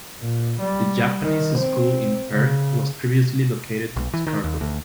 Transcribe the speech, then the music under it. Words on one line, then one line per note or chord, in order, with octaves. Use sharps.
The Japanese School in Perth was previously located in Scarborough.
A#2
G3
D#3
C4
C#3
B1
E3
D#3
D#2
D2